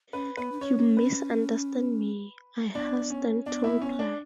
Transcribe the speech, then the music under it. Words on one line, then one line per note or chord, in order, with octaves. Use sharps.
"You misunderstand me," I hastened to reply.
C#4 B4
B3 B4
D4
C#4 C#5
B4
B3 D4
C#4
B3 D4
E4
C#4
D4